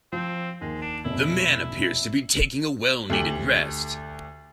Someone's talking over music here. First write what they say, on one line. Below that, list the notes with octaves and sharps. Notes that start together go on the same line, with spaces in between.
The man appears to be taking a well needed rest.
F3 C4
D#2 G#3
D4
F1 B2 E4
D2 G4 F#7